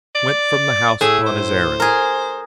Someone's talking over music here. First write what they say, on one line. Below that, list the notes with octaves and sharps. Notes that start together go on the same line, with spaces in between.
He went from the house upon his errand.
D5
A2 G#4 E5
C5
G#4 A#4